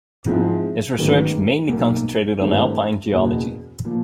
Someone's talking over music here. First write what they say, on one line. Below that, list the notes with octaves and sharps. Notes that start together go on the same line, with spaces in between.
His research mainly concentrated on alpine geology.
G#2 F3 G#3 C4 E4
A1 G#2 D#3 F#3 B3
B1 B2 F#3 A#3
G#1 G2 E3 A3
F#1 E2 B2
A#2 F3